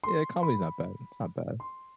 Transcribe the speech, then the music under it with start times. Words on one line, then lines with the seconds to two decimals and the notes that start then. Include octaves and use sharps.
Yeah, comedy's not bad, it's not bad.
0.04 C6
0.43 B5
1.60 C6